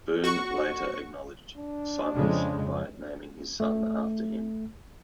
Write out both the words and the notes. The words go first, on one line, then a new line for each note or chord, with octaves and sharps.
Boon later acknowledged Simmons by naming his son after him.
F#4 C#6
D4
F2 C#3 G#3
A3